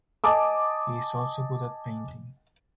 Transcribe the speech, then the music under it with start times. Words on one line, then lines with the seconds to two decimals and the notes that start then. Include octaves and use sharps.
He is also good at painting.
0.24 D#5 G#5 A5 D6 D#6